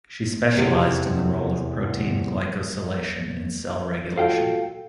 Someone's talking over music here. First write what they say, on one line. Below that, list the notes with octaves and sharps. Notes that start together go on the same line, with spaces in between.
She specialised in the role of protein glycosylation in cell regulation.
E2 C3
F4 F#4 A4 F5 G5